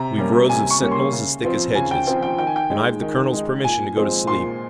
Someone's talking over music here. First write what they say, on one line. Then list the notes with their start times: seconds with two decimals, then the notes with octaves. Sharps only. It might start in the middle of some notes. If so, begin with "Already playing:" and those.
We've rows of sentinels as thick as hedges, and I've the colonel's permission to go to sleep.
Already playing: C3 A#5
0.18 G3 A#3 C#4
0.49 C3 G#5
0.70 C#6
0.81 G3 A#3 C#4
0.92 C6
1.12 C#3
1.44 F3 C4
1.75 C#3 G#5
1.91 G5
2.07 F3 C4 G5
2.23 G5
2.38 D#3 G5
2.47 G#5
2.56 G5
2.70 G#3 D#4
3.02 D#3
3.33 G#3 D#4
3.64 A#2 G#5
3.96 F3 G#3 C4
4.27 A#2 C6